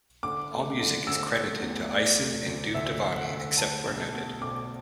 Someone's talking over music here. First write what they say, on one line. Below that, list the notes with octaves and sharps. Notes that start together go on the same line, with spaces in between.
All music is credited to Eisen and Duvdevani except where noted.
D3 D6
A3
D3
D3 E6
A3
E2
A3 D5
A3
D2
D2 E5
D2
F#5
D2
A3 A5
B1
B2
B1 D6